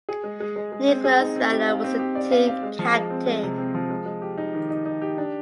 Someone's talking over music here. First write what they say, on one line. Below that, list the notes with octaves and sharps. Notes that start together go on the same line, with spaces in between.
Nicholas Mehler was the team captain.
G#4
G#3
G#3
G#3
G#3
C4
G#4
D#4
C4
G4
F5
C4
G4
D5
F5
F5
G#3
F3
G#3
C4
G#3
C3
C4
F3
G#3
G#3
G4
D#4
D#3
D#4
D#4
G4
D4